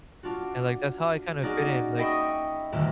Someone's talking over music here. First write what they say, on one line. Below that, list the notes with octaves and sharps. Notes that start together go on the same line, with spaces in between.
and, like, that's how I kind of fit in, like,
D4 F4 F#4
A#3 C#4 D#4 F#4 G#4 D5
D#5 E5 G5 B5 C#6 D#6
D#1 D2 A#3 E5